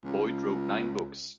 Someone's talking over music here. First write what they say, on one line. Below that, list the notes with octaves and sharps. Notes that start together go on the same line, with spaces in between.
Boyd wrote nine books.
C#2